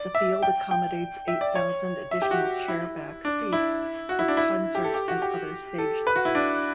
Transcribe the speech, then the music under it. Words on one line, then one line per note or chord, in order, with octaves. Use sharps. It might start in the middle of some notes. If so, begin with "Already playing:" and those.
The field accommodates eight thousand additional chairback seats for concerts and other stage events.
Already playing: D5
E5
G5
G5
E5
D5
C#5
E5
G4
F#4
E4
D4
E4
F#4
E4
D4
E4
G4
A4
G4
F#4
G4
A4
B4
F#4
E4
D4